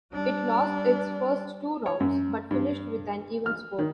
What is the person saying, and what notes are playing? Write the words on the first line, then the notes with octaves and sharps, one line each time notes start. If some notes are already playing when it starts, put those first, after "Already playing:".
It lost its first two rounds, but finished with an even score.
G3 D4
C#5
F#2
G2
F6
D#3